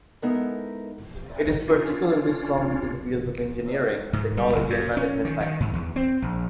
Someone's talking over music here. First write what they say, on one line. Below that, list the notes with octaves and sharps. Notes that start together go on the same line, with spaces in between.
It is particularly strong in the fields of engineering, technology and management science.
G#3 B3 D#4 E4 A4 A#4
C#4 D4 F4
G#2
G3
F#1
F#2
C#4
D#3
D#3
G#2
E2
C4
A#1